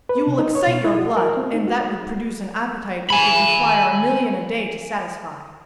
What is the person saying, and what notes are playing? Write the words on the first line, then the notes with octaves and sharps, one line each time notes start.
You will excite your blood, and that would produce an appetite it would require a million a day to satisfy.
B4
C3
D#4
C#5
B2
E4
F#4
A#4
C4
D#4
F#4
G#5 B5